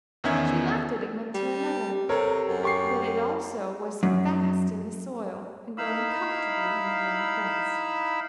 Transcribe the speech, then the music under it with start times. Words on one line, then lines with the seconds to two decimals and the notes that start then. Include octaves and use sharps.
She left it, and went to another; but it also was fast in the soil, and growing comfortably in the warm grass.
0.24 E2 D#3 B3 C#4 E5 G#6
1.35 G3
2.09 C3 A4 A#4 C#5
2.47 F#2
2.63 G4 C#6 C7
4.03 F#2
5.78 D#4 E4 F5 B5 E6